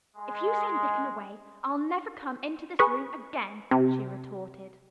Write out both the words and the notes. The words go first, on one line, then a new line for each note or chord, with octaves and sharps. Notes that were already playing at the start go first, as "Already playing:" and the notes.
"If you send Dickon away, I'll never come into this room again!" she retorted.
G#3
G#4 B4 C#6
C3